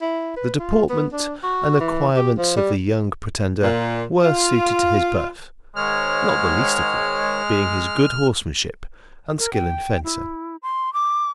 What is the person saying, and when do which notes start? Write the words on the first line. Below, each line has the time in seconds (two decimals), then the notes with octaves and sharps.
The deportment and acquirements of the young pretender were suited to his birth, not the least of them being his good horsemanship and skill in fencing.
0.02 E4
0.36 B4
0.59 F4
0.89 B3
1.13 D4
1.43 F#4
1.80 E3
2.16 G4
2.38 F3
2.57 G3
3.63 A#2
4.23 F4
5.76 G#2 D#3 G#3 C#5 F6
9.38 A#4
9.53 G5
10.04 E4
10.62 C6
10.93 D6